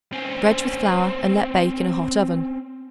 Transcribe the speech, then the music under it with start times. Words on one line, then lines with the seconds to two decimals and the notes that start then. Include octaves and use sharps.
Dredge with flour and let bake in a hot oven.
0.13 C4 C#4